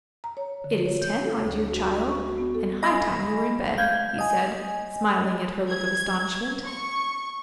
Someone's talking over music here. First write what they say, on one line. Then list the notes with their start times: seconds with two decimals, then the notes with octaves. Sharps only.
"It is ten, my dear child, and high time you were in bed," he said, smiling at her look of astonishment.
0.24 A#5
0.37 C#5
0.64 D3
0.86 C#5
1.01 G6
1.25 A4
1.43 D2
1.71 F#4
2.09 C#6
2.27 F#4
2.38 B3
2.55 A4
2.83 D#5 G#5 B5 A#6
3.78 F5 G6 G#6
4.19 D#5 G#5
5.69 G#6
6.65 C#6